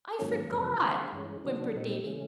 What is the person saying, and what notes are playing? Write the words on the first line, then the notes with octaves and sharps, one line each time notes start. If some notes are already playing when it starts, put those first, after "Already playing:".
"I forgot," whimpered Davy.
G#2 D#3 F#3 A#3 C#4
F2 C3 E3 G3
D3 G3 C4
G2 E3 G#3 C#4
C3 D#3 F#3 B3 D4
A#2 G3 C4 D#4
C#3 E3 A3 C#4